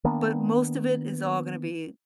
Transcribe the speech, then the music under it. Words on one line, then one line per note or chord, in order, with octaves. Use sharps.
but most of it is all gonna be
D#3 A#3 B3 D4